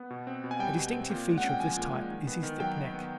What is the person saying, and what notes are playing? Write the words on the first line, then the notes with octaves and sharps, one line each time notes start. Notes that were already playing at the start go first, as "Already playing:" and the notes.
A distinctive feature of this type is his thick neck.
Already playing: B3
B2
C4
B2
G#5
G3 G5
B2
C4
A#2
G#3
F#5
C#4
G5
F3 G#5
A#2
G#3
D#3
B3
D#3
F#3 G5
D#3
B3